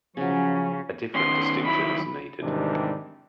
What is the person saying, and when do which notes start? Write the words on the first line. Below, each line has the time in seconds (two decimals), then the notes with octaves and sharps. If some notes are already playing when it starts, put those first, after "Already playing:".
A different distinction is needed.
0.17 C#3 F3 F#3 C#4
1.15 D#3 B3 C#4 C6
1.65 D#3 F#3 E4 B5
2.42 G#2 C3 D#3 E3 G3 D4